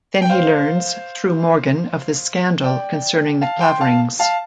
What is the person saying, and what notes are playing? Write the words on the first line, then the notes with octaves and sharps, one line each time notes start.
Then he learns, through Morgan, of the scandal concerning the Claverings.
G5
C5 F5
D5 G5
F5 A5
G5 C6
F5 A5
F5 A5